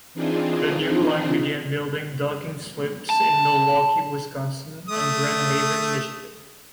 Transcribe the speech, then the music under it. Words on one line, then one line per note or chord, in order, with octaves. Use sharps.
The new line began building docking slips in Milwaukee, Wisconsin and Grand Haven, Michigan.
E3 C4 D4 D#4 F4 G#4
A5
A3 D#6